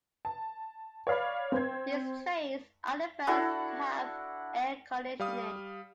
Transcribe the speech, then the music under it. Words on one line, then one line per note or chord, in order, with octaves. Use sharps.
These trains are the first to have air conditioning.
A5
C#5 D5 F5 B5
C4 C5 G#6
D4 E4 F#4 A4
G3 F5 D#6